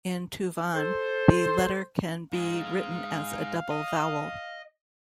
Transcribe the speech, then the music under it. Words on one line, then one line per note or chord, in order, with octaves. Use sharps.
In Tuvan the letter can be written as a double vowel.
A4 C5
G#2 G#3 F5
D#5